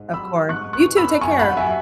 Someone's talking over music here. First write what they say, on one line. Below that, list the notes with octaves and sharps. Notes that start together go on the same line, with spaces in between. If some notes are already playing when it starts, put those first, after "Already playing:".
Of course. You too. Take care.
Already playing: G#2
F#3 B5 E6
G#2 C#6 F#6
C#6 F#6
E3
B5 E6
F#2 G#5 C#6
F#5 B5
F#3 E5 G#5